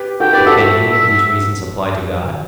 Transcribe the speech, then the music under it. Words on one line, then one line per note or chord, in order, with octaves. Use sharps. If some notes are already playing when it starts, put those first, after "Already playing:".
But can any of these reasons apply to God?
Already playing: G4 B4
F#4 A4 G5
G4 B4 D5
F#4 A4 E5
F#4 A4